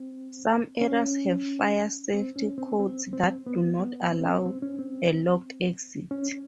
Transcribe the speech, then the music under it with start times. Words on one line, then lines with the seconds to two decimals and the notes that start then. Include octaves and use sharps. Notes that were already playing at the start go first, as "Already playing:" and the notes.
Some areas have fire safety codes that do not allow a locked exit.
Already playing: C4
0.81 C#4
2.14 C4
2.36 C#4
2.58 C4
2.80 C4
3.13 C4
3.46 B3
3.79 B3
4.12 C4
4.25 C#4
4.29 C4
4.45 C4
4.62 C#4
4.79 C4
6.11 C#4